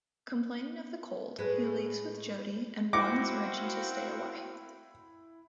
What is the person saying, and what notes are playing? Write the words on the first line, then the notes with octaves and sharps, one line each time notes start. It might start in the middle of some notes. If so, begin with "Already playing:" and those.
Complaining of the cold, he leaves with Jody and warns Reggie to stay away.
A2 G#3 B4
A#3 C4 E4 F#4 D6 A#6 C#7